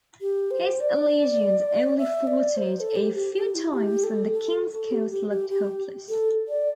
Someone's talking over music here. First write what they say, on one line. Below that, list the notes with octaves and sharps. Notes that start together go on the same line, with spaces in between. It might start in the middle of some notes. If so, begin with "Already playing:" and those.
His allegiance only faltered a few times when the king's cause looked hopeless.
G4
C5
D5
E5
D5
C5
C5
A4
G4
G4
G4
E4
G4
A4
A4
A4
G4
G4
G4
G4
A4
D5